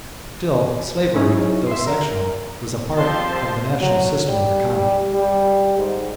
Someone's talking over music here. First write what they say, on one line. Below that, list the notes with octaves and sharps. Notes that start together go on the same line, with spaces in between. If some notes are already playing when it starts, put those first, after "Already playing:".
Still, slavery, though sectional, was a part of the national system of economy.
F#3 C#4 D#4 E4 G#4
E5 C6
A#4
F3 C4 G4 A5 C6
F#3
G3
G3
G3
G#2